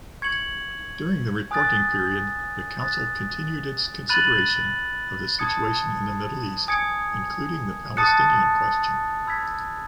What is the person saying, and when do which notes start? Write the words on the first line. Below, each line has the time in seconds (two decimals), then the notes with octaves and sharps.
During the reporting period, the Council continued its consideration of the situation in the Middle East, including the Palestinian question.
0.22 C#6 G#6 C#7 F#7
1.51 G#5 D#6 F#6 A6
2.80 D#6 F#6 A6
4.09 B5 F#6 A6 D#7 F#7
5.39 A5 D#6 G#6 C#7
6.68 G#5 D#6 G#6 C#7
7.97 A5 D#6 F#6 A6 C#7
9.27 B5 E6 G#6 B6